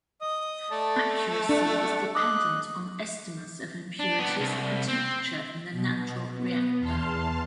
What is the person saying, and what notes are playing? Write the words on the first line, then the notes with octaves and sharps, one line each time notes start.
Accuracy is dependent on estimates of impurities and temperature in the natural reactor.
D#5 D#6
A3 D5 A5
E5
D4 A4 D5 F#5
D#5 D6 D#6 F#6
D4
B3 D4
C2
C4
B2
B3
E2 A5 C6 F6